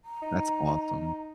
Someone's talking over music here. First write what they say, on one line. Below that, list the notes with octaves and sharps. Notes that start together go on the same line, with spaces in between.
That's awesome.
A#5
D#4